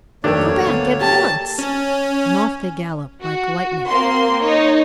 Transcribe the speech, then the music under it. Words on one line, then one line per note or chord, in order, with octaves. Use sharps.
Go back at once!' and off they galloped like lightning.
F2 D#3 A3 A#3 D4 C#5
D2 B3
G4 A5
C#4
F#4
A#3 C4 C6
D#4 C#5